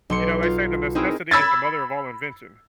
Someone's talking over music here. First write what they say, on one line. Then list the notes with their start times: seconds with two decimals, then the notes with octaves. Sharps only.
You know, they say that necessity is the mother of all invention.
0.10 B1 C6 C#7
0.43 F4
0.95 C4 D#4 E4 G#4 A#4
1.31 B5 E6 G#6 A6